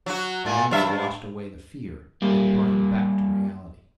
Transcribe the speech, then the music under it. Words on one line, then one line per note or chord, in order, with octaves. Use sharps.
The anger washed away the fear and brought him back to reality.
F#3 F#4
A#2 A3
G2 F#3 E5
G2
G3 A#3